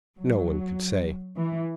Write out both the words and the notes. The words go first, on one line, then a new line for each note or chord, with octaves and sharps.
No one could say.
F#3
E3